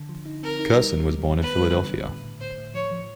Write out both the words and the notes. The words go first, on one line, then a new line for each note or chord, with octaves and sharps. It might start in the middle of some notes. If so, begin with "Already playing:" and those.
Curson was born in Philadelphia.
Already playing: D3
F3
D#4
C4 A#4
D#4
G3
D#3
G3
D#3
B3 B4
G3
D3
D3
A2
A2
A2 C5
A2
F3 C#5
F3